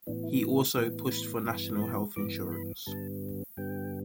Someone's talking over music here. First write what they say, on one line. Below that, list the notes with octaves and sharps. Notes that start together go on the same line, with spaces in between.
He also pushed for national health insurance.
A2 E3 B3 D4
E4
E4
A2 E3 B3 G5
B5
G2 E3 B3 B5
B5
A5
G2 E3 B3 D6
B5
G2 D3 G3 B3 A5
G2 D3 G3 B3 G5